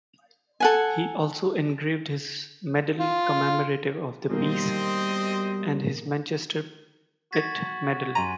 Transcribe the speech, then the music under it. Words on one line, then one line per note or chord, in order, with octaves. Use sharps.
He also engraved his medal commemorative of the peace and his Manchester Pitt medal.
A4 F#5 G#5
F4
B2 D#3 G3 A#3 C4 C5 D#5
F#4 G#6 A6 B6
F#2 G#5 A#5 C6 D#7